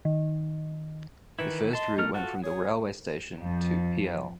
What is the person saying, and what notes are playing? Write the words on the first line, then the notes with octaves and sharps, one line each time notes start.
The first route went from the railway station to pl.
D#3
D#3 E3 E4 B4
D#5 A5 C6
A3 A#4 F6
F4 F#4 A4 F#5
G#4 C#5
F2 F3